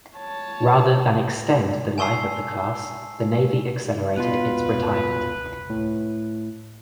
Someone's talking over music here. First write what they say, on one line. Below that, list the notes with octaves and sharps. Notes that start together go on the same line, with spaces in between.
Rather than extend the life of the class, the Navy accelerated its retirement.
C#5 A5
G#5 A5 C#6 E6 C7
B2 F4 B4
A2